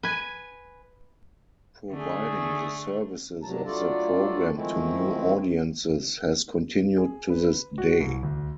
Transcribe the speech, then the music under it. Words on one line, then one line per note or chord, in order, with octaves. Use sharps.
Providing the services of the program to new audiences has continued to this day.
B4 G#5
D3 A3 G#4
G2 C3 F#3 A5 A#5
F#3 A3 D4 F4 A4 D5
D#3 F3 G#3 A3 C4 E4
G#4
B4
F#4
C2
D2